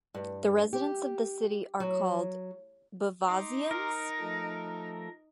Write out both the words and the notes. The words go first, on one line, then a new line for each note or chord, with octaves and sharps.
The residents of the city are called Beauvaisiens.
G2
G4
F#3
D#4 C6 D6
A#4
F3 A3 A4